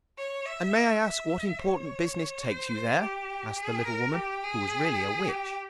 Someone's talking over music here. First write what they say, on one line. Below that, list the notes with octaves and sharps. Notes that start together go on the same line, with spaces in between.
'And may I ask what important business takes you there?' asked the little woman, who was really a witch.
C#5
E5
E5
C#5
C5
G4
G#4
A#4
G4
G#4
G4